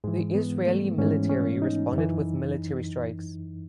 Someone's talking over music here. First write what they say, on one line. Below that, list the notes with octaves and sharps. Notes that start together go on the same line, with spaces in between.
The Israeli military responded with military strikes.
G#2 E3 G#3
B3
A3
G#2 E3 C#4
C#4
D#4
F#2 E3